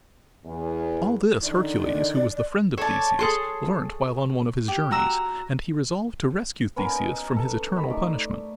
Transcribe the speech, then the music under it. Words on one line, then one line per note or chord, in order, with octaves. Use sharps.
All this Hercules, who was the friend of Theseus, learnt while on one of his journeys, and he resolved to rescue Theseus from his eternal punishment.
E2
D3 D#3 D#4 D5
A4 C#5 D5 A5
G#4 A4 C6
G4
F#4 A#5 E6
B3 C#4 A#4 D#5
A4
D#3 D#4 A#4 B5
A3 D5